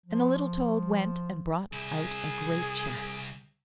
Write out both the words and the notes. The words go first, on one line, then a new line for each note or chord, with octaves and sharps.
And the little toad went and brought out a great chest.
F3
C2 E4 G#4